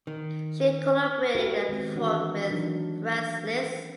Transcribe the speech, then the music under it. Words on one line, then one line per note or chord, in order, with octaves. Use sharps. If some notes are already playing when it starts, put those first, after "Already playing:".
She collaborated and performed with Franz Liszt.
D#3
E4 F#4 G4 A#4 B4
D#3 G#3 B3 C4
E3 D4 F#4 C#5 F#5
E3 F#3 D4 D#4 A#4